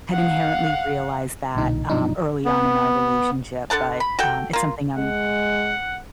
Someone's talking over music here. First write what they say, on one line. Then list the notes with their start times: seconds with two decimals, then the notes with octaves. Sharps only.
had inherently realized that, um, early on in our relationship, but, um, it's something I'm
0.13 F5 F#5
1.55 B1 A#2 D3 D#4
1.89 G2 B2 F3 F#3 D4 D#4
2.45 B3
3.70 D3 A4 F#5 A5
4.00 B5
4.19 F#4 A4 G5
4.53 A#3 F4
4.97 G#3 F#5